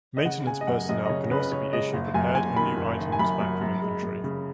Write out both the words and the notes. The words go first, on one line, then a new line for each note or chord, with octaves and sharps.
Maintenance personnel can also be issued repaired or new items back from inventory.
D#5
C#3 F#5
C#3 G#5
D#5
F#2 F#5
F#2 D#5
D#5
C#3 C#5
C#3 B4
C#3 C#5
G#3 D#5
F#1
F#2 G#5
F#1 G#5
D#3 B5
F#1
D#3
G#5
F#2 B5
F#2
F#2
G#3
F#2
C#3